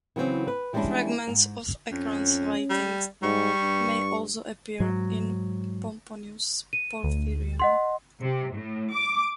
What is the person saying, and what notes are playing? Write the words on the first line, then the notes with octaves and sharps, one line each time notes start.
Fragments of Acron's writing may also appear in Pomponius Porphyrion.
C#3 E3 F#3 B3 C4
B4
E3 G3 G#3 C#4 D4 E4
G#2
F2 C#4
G3
G#2 G3 C#6
G2
G#2 F#3
D#7
D2
D#5 F#5 C6
C3
A2
D6